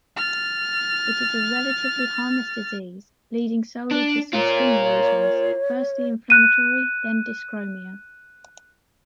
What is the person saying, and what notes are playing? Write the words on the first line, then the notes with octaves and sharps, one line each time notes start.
It is a relatively harmless disease, leading solely to some skin lesions, firstly inflammatory, then dyschromia.
F6 A6
D4
F4 A#4 C#5
F#6 D#7